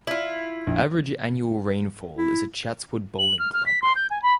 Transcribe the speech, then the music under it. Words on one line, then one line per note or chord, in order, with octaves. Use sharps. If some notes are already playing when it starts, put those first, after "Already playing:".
Average annual rainfall is at Chatswood Bowling Club.
E4 F4
A#1
E4
F#7
F6
F6
B6
C6
G6
G#5
B5